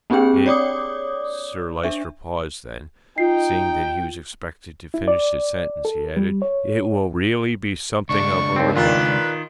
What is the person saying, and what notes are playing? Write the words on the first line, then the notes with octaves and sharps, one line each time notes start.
It----" Sir Lyster paused; then, seeing that he was expected to finish his sentence, he added, "It will really be something of a relief.
A#3 C4 D4 G4 G#4 G5
C#5 D5 D6 D#6
D4 E5
D#4 F4 G5 C7
E4
D5
A4
G3
C#5
C#2 D4 C#6
D#2 C4
A#2 D#3 F4 B4